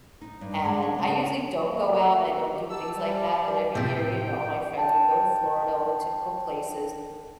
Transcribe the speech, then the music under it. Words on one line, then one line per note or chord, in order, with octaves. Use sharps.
and I usually don't go out and I don't do things like that, but every year, you know, all my friends would go to Florida, all the typical places,
D#4
G2
G#3
C#5
C#3
A3 A#3
F#4
D#3 G4
G4 A5 E6
G3
A2 C3 G5
G5 A5